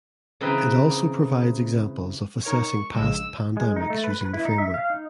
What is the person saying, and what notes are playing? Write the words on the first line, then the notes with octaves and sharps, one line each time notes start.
It also provides examples of assessing past pandemics using the framework.
C#3 E3 C4 D#4 B4
D#4 A#4 C#5 C#6
A#1 C#3 G#3 E6
G#3
D#4
A3
B4
B4
E4
D#4
E5
F5
D#4